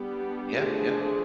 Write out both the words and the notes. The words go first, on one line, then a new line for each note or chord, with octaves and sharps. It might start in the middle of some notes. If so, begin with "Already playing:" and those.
Yeah, yeah.
Already playing: G3 B3 D4 G4
F3 A3 D4 G#4